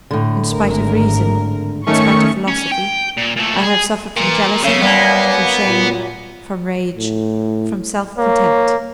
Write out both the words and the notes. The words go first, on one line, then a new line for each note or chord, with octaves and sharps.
In spite of reason,--in spite of philosophy--I have suffered from jealousy, from shame, from rage, from self contempt.
A2 D3
G#1 A#4
D#3 A3 C#4 C#6
C#4
G5
A#2
A#2 A3
G#4
A#2 E3
C#3 F#3 A3
F#2 G3 A#3 B3
A#2
A2
A#3 C#5